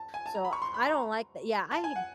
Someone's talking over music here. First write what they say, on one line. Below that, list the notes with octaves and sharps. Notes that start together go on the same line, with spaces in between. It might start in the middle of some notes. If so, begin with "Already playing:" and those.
So I don't like tha yeah, I
Already playing: A5
G#5
A5
A#5
B5
C#6
C6
B5
A#5
A5
G#5
F#5